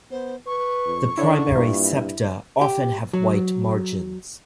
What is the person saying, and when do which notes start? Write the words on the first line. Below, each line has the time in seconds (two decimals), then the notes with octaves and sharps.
The primary septa often have white margins.
0.11 B3 C5
0.46 B4 C#6
0.86 F2
1.18 D3 D4 E4 C#5
1.55 G2 A#3 E4 F4
2.61 G4
3.13 F#3